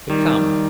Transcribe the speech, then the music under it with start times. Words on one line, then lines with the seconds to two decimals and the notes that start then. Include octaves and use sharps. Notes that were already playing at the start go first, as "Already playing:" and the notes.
But come!
0.10 D#3 G3